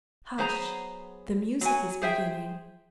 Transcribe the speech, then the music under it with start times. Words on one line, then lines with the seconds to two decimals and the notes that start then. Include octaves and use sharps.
Hush! the music is beginning.'
0.38 F#3 B3 G#4 C5 A5 A#5
1.61 F#3 G#5
2.02 G#4 C5 E5 G5